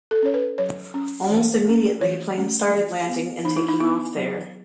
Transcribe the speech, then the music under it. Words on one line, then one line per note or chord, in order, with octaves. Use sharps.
Almost immediately, planes started landing and taking off there.
A4
C#4 C#5
B4
F#3 C#5
C#4
E3
A3 C#4
E3 C#5
A3 C#4
E3
B3
E3 D#4
E4
D#4
B3 E4
F#3